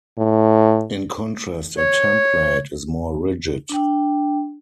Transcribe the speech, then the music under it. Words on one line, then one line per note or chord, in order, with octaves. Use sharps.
In contrast, a template is more rigid.
A2
C#5
D4 G5